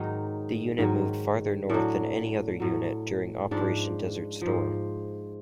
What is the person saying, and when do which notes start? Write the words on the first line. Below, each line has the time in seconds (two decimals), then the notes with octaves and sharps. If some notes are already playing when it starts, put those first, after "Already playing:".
The unit moved farther north than any other unit during Operation Desert Storm.
Already playing: G#2 D#3 F#3 D#4
0.78 G#2 D#3 F#3
1.70 A2 F#3 D4
2.60 A2 F#3
3.51 G#2 F3 D4
4.41 G#2 F3